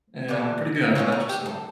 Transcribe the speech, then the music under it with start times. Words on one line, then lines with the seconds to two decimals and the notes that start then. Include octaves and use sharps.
Yeah, I'm pretty good. How about yourself?
0.28 C3 E3 A3 D4
0.95 F3 A3 C#4 F4
1.12 D#4
1.29 G4
1.46 A4